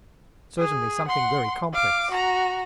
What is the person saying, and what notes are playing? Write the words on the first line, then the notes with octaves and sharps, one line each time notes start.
Certainly something very complex.
G#4
F#5 C6
F5 D6
F#4 A#5